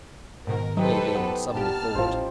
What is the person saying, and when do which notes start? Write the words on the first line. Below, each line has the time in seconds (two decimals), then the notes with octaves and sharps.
Then he leaned suddenly forward.
0.47 G#2 B2 D#3 A#4
0.77 F#3 D#4 G4 A4 B4 C5
1.15 B3
1.53 G1 A#2 G4 A5 F6
1.95 A1 A2 F3 C5